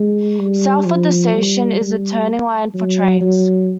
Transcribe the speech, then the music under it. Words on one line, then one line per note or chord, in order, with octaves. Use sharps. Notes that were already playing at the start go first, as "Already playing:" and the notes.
South of the station is a turning line for trains.
Already playing: G#3
G3
F3
G3
G3
F#3
F#3